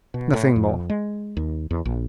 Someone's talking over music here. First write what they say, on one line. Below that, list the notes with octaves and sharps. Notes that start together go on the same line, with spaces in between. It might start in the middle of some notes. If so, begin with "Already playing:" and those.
"Nothing more."
B2
A2
F2
G#3
D#2
E2
A#1